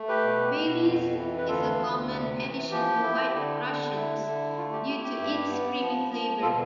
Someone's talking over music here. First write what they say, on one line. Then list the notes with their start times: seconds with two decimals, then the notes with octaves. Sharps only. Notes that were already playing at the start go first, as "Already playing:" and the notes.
Baileys is a common addition to White Russians, due to its creamy flavour.
Already playing: A3
0.08 G4 B4
0.24 B2
0.55 B2
0.86 F2
1.18 E3
1.38 B4
1.48 D2 F4 A4
1.78 D2
2.10 C3
2.41 E3
2.71 F3 G4
3.03 E4
3.34 D3
3.64 D3
3.95 E4
4.27 D3
4.57 A3 F4
4.73 G4
4.88 E4 G4
5.03 G4
5.19 G2
5.50 B3
5.81 F3
6.12 F3
6.42 B2 F4 A4